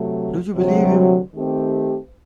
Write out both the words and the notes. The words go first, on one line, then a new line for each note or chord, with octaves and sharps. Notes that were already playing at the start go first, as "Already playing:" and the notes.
Do you believe him?
Already playing: C3 F#3 A3
D2 C3 F#3
D#3 A3 C4 G4